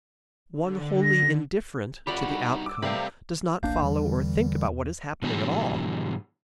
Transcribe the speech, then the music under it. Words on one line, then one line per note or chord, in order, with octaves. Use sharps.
One wholly indifferent to the outcome does not follow or think about what is happening at all.
D3
A#6
F#2 F4 G4 D5 F#5 A#5 B5
G2 D#4 F#4
D6 E6
C3 G3 A3 A#4 B4 D5 F5 G5
D1 A#1 A#3 D4 F5 G6
E2 D3 E3 G3
G#2 B2 D3 E3 F#3 G3